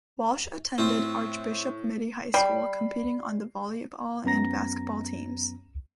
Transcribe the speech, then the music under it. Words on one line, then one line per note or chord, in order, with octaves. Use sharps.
Walsh attended Archbishop Mitty High School, competing on the volleyball and basketball teams.
A2 C4 F4
G3 B5 C7
F#2 B3 C#4 A#5 A#6